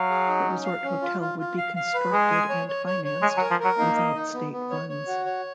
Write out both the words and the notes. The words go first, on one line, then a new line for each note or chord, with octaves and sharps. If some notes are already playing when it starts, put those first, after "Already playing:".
The resort hotel would be constructed and financed without state funds.
Already playing: F#3 F5
G#4
D#4
C#4
F5
C#4
F4
F4
F4
F5
F5
B4
G#3 G#4
G#5
C#5
C#5
C#5
C#5
G#3 G#5
F#3
A#4
F3
F#3 A#4
A#3 D#4
D#5
D#4
B3
B3
C#5
C#5
F#4
C#5